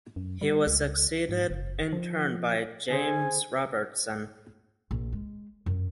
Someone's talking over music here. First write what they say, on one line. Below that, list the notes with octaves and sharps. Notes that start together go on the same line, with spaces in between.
He was succeeded in turn by James Robertson.
F#2
G3
C#2
G#2
F#1
F3
D3 G#4 C5 G#5
A#1
G#3
F#2